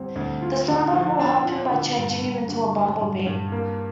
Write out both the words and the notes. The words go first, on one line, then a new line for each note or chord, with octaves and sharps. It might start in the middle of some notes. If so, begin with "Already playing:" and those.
The Swan-Bird will help him by changing him into a bumblebee.
Already playing: D2 G3 C4
D2
F4
D3
F3
D4
F4
D3
G2
G2
D3
G3
G2
G2
A#3